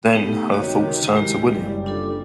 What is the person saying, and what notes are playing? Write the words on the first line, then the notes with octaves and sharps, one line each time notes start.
Then her thoughts turned to William.
A3 B3 D#4 G4
C#2 C3 D#3 F#4 C#5
G#3 E4 G4
F#1 G3
D4 F4 A4